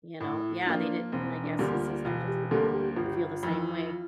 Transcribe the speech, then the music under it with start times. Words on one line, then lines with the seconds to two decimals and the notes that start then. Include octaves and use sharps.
you know. Yeah, they didn't I guess his sister doesn't, you know, feel the same way.
0.20 A2 E4
0.67 F3 A#3 D4 F4
1.12 E1 C4
1.44 D4
1.59 D2 D3 G3 A#3
1.74 F4
2.05 E1 F4
2.28 G4
2.51 D2 D3 G3 A#3 A4
2.74 G4
2.96 G1 F4
3.06 G4
3.16 F4
3.43 F2 E3